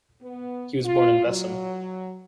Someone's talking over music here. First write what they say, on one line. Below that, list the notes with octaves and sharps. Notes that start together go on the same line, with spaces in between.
He was born in Vessem.
B3
F4
F#3